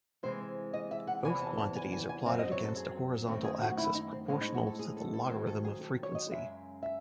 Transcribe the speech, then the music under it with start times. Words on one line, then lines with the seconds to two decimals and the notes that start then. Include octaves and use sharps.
Both quantities are plotted against a horizontal axis proportional to the logarithm of frequency.
0.23 C3 E3 G#3 C5
0.73 D#5
0.91 E5
1.07 F#5
1.25 E2 C3 E3 C4 G#5
1.41 A5
1.58 A5
1.75 G#5
1.92 G#5
2.09 G#5
2.26 F#2 C#3 F#3 C4 E5
2.39 D#5
2.52 C#5
2.64 A4
2.76 G#4
3.27 F#2 D#3 A3 C4
3.44 G#4
3.61 F#4
3.78 E4
3.95 D#4
4.11 C4
4.28 A2 G#3 C4 C#4
4.41 D#4
4.54 F#4
4.67 A4
4.79 G#4
4.97 A4
5.13 A4
5.30 G#2 D#3 F#3 C4 C5
5.47 A4
5.64 G#4
5.81 A4
6.03 C#5
6.15 D#5
6.31 F#2 C#3 G#3 E5
6.83 E5